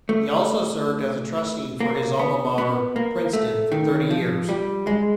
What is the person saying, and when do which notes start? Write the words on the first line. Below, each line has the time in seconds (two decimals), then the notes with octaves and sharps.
He also served as a trustee for his alma mater, Princeton, for thirty years.
0.09 A3
1.80 A#3
2.19 B3
2.58 B3
2.96 A#3
3.33 A3
3.72 D#3
4.11 F3
4.49 G3
4.87 G#3